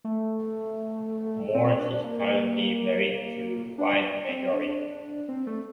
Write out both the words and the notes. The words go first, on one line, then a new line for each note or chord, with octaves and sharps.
Moores is currently married to wife Marjorie.
A3
C4
D4
A#3
D4
C4
D4
C4
A3